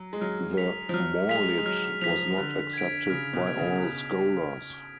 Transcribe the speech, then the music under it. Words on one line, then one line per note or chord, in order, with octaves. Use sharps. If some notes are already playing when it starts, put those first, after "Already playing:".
The Mawlid was not accepted by all scholars.
Already playing: F#3
G#3
F#3 F6
B6 F7
F3
F#3 F6
G#3 B6 F7
G#3
F#3 F6
F3 B6 F7
D3 F6
G#6 D7
C#3 F6
B2
G#6 D7
C#3